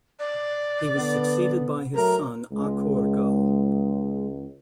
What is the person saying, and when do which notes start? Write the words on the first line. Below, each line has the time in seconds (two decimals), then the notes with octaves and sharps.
He was succeeded by his son Akurgal.
0.19 D5
0.95 D3 B3
1.94 F#3 A3 A#4 A#5
2.51 C#2 G#3